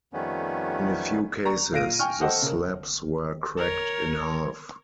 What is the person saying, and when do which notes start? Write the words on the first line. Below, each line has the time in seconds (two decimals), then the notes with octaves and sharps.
In a few cases the slabs were cracked in half.
0.13 F2 D#3 G3 A3 B3 C#4
1.45 D5 A#5 C#6
1.73 A#2 F5 A#6 D7 D#7
1.99 G5 G#5 C#6 F6
2.20 A4 C5 D#5 F#5 G5
2.42 C#3 A#4
3.57 A#4 C#5